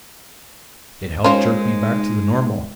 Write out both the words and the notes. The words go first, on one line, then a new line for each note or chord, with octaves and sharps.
It helped jerk me back to the normal.
G#3 C#4 D#4 F4 A#4 C5